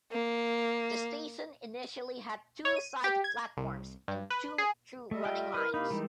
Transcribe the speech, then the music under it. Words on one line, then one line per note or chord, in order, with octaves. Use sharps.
The station initially had two side platforms and two through running lines.
A#3
C#5
D#7
G4
G#6
C2
G2
B4
G#4
G3 A3 D#5 E5
F4 G5
E4 A#4 B4 A#5 F6
C3 A#3 D#4 F5 B5
E3 G3 G#3 D#4